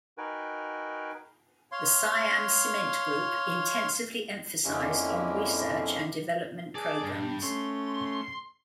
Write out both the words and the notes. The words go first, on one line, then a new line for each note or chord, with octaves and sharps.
The Siam Cement Group intensively emphasized on research and development programs.
D#4 F#4 A#4 B4 G5 G#5
C#5 F5 C6
F2 D3 G#3 A#3 C#4 E4 G4
G#4 D5 A5 D6
G2
G4
A3 C#4 C6